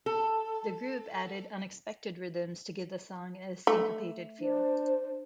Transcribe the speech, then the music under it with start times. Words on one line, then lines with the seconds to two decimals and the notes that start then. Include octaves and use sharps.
The group added unexpected rhythms to give the song a syncopated feel.
0.06 A4
3.67 A3
4.40 D4 C5